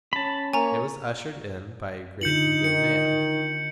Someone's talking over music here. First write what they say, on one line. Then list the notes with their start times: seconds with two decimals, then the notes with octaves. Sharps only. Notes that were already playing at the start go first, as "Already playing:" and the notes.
It was ushered in by a great and good man.
0.13 C#4 A5 B5
0.53 A#3 C#5 G#5 A#5
2.21 D3 D#4 F4 G6 C#7 F#7
2.64 D#3 C#7